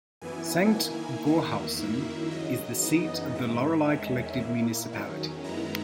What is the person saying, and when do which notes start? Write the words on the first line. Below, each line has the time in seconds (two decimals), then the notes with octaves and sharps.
Sankt Goarshausen is the seat of the Loreley collective municipality.
0.22 F#2 E3 B3 E4 G#5
0.74 D#3 A#3 E4 G#5
1.26 E2 D#3 A#3 E5
1.79 F#2 D#3 A#3 E4
2.31 D#2 C#3 F#3 D#5
2.83 F#2 C#3 E3 B3 D#4
3.35 G#2 D#3 G#3 E5
3.88 E2 D#3 G#3 C#4
4.40 A#2 A#3 E4
4.92 E2 D#3 F#3 C#4
5.44 F#2 D#3 G#3 B3 E4 A#5